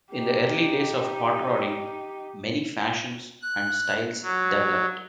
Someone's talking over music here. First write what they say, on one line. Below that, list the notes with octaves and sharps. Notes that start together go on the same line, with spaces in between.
In the early days of hot rodding, many fashions and styles developed.
D#4 G4
F#6
F#3